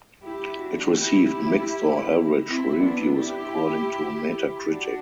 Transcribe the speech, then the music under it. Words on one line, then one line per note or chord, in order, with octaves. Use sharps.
It received "mixed or average" reviews according to Metacritic.
E4 G4
D4 F#4
E4 G4
C4 E4
B3 D4
E4 G4
D4 F#4